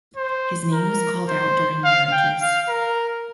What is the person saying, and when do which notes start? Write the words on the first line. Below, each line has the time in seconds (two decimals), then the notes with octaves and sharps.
His name was called out during marriages.
0.16 C5
0.72 A#4
1.29 C5
1.84 F5
2.12 G5
2.41 F5
2.69 A#4